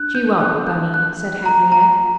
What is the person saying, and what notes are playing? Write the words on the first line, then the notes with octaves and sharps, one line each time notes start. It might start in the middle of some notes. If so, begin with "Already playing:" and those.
"She won't, Bunny," said Henriette.
Already playing: D4 F#6
G6
G6
F#6
G6
F#6
A#5
A#5